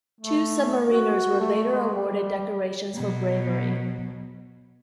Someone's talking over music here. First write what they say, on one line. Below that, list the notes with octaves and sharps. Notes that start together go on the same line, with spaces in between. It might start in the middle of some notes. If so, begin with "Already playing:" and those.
Two submariners were later awarded decorations for bravery.
A3
F#4
A3
G#3
G3
B2 F#3